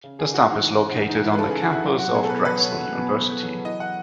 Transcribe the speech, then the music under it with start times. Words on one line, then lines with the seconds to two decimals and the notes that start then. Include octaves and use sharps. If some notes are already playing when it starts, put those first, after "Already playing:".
The stop is located on the campus of Drexel University.
0.04 C#3
0.19 G#4
0.26 C#3
0.34 F#4
0.49 E3 D#4
0.71 C#3
0.93 E3 D#4
1.09 D#4
1.17 E3
1.24 E4
1.33 B4
1.39 C#3 A4
1.50 G#4
1.62 E3 F#4
1.72 E4
1.84 F#3 E4
1.99 F#4
2.07 B2
2.15 G#4
2.24 A4
2.30 B2 B4
2.45 B4
2.51 F#3
2.59 C#5
2.75 F#3
2.97 B2
3.20 B2
3.43 F#3
3.65 E3 D#5
3.80 F#5